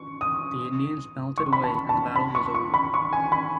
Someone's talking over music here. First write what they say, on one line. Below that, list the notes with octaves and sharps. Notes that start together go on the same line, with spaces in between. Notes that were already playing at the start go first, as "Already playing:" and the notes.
The Indians melted away and the battle was over.
Already playing: C#6
D#6
C#6
B5
A5
A5
B5
C#6
C#6
B5
C#6
G#5
B5